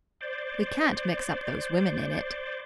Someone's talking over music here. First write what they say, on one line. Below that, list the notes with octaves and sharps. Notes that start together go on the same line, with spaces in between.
We can't mix up those women in it.
C5 D5